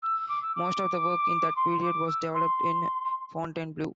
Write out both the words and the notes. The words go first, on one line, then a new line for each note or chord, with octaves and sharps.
Most of the work in that period was developed in Fontainebleau.
E6
D6
E6
D6
C6
D6
E6
C6